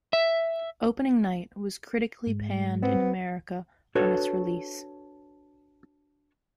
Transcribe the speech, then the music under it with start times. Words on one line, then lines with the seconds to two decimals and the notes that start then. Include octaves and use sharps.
"Opening Night" was critically panned in America on its release.
0.13 E5
2.27 G#2
2.83 B3 C4
3.95 D4 F#4 A4 B4 C#5